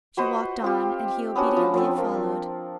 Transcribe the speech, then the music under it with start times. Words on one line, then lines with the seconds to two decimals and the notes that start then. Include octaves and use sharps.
She walked on, and he obediently followed.
0.17 F#4 B4 C5 D#5
0.62 C4 F4 G4
1.36 B3 C#4 D4 F#4
1.57 F3
1.74 F3 C4
1.98 A#3